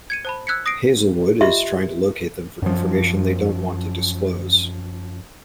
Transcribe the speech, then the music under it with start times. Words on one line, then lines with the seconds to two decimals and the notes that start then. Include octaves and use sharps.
Hazelwood is trying to locate them for information they don't want to disclose.
0.10 G#6 C#7 D#7
0.25 C5 A5 B5
0.47 E6 F#6 G#6 B6 C#7
0.66 D#6 A#6 C7 D7
1.41 F4 G4 D#5 E5 C6
2.62 F#2 F3